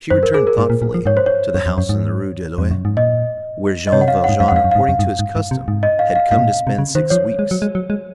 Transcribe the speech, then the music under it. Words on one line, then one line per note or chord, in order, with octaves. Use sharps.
She returned thoughtfully to the house in the Rue de l'Ouest, where Jean Valjean, according to his custom, had come to spend six weeks.
F#2 C5
A#4
G#4
A#4
G#2
A#2
A#2
F3
G#2 C#5
C5
C#5
F#2
F2
F#2
G#2
F2
F#2
G#2
A#2 D#5
D#5
C3 C#5
C#3 F#5
C3
F5
G#2 F#5
F#2 F5
F#5
F2
F5
F#2
G#2 F5
F#2
G#2
F#2
G#2
G#2
C3
G#2
D#5
F5
F5
G#2 F5
C3
A#2
C3
C#3
D#3 C5
F3 C#5
G#3
F#3
G#3
F#3
G#3